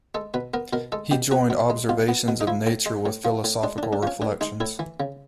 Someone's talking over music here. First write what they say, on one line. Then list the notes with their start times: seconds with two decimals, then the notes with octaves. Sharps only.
He joined observations of nature with philosophical reflections.
0.15 G#3 A4
0.34 B2 B4
0.54 B3 A#4
0.73 B2 A#4
0.92 G#3 A4
1.11 B2 G4
1.31 B3 F#4
1.50 B2
1.70 G#3
1.89 B2 F4
2.09 B3
2.28 B2
2.41 D#4
2.47 F3 E4
2.67 A2
2.86 G#3
3.06 A2
3.25 F3
3.44 A2
3.63 G#3 D4
3.78 D4
3.83 A2
3.93 D4
4.03 F3 C#4
4.22 A2 D4
4.41 G#3 D#4
4.60 A2 E4
4.79 E3
5.00 C#3